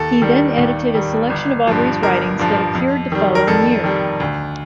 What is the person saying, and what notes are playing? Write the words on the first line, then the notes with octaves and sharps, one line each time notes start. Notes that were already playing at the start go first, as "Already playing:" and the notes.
He then edited a selection of Aubrey's writings that appeared the following year.
Already playing: D#2 A4
D#3 G3
D#2
D#3 G3
G1
G2 F3
G1 A#4
G2 F3
F2
D#3 G3
A#4
F2 A4
D#3 G3
D2